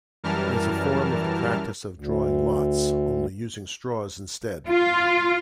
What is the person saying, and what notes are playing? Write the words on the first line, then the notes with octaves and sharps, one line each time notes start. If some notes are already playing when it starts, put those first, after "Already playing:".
It is a form of the practice of drawing lots, only using straws instead.
F#2 E3 G3 A#4 A5 F6
D2
F4